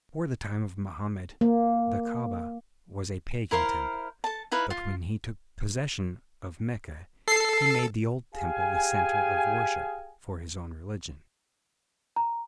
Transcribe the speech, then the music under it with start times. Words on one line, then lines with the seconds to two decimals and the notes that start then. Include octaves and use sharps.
Before the time of Mohammed the Ka'a-ba was a pagan temple; but when he took possession of Mecca he made the old temple the centre of worship for his own religion.
1.41 A#3
3.51 E4 A#4 C5 F5
4.24 A4 A5
4.52 D#4 E4 B4 F5
4.70 F4
7.28 A4 C7
8.35 G4 G#4 F5 G5 G#5
12.16 A#5